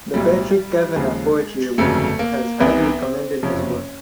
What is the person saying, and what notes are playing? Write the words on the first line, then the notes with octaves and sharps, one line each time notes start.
The Patrick Kavanagh Poetry Award has "highly commended" his work.
B1 A2 F#3 G3
D#2 C#3 F3 G#3
G1 F2 C#3 F#3 A3
A#3
C2 C3 E3 B3
C4
F#1 F2 C3 F3 C#4